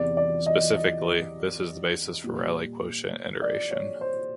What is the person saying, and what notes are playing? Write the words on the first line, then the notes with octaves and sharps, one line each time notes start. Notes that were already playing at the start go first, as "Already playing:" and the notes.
Specifically, this is the basis for Rayleigh quotient iteration.
Already playing: E2 C3 E3 D5
D5
D#5
D#5
A#2 G3
D5
C#5
C5